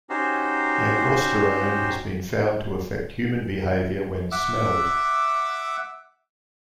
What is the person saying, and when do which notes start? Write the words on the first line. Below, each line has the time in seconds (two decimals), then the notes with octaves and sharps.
Androsterone has been found to affect human behavior when smelled.
0.10 C#4 D#4 F#4 G4 C5
4.32 E5 F#5 D6 E6